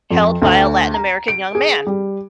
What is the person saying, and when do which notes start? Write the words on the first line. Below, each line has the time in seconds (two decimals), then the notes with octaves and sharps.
held by a Latin American young man.
0.11 F2
0.42 D2
0.94 A#5
1.28 D7
1.55 G#4
1.86 G3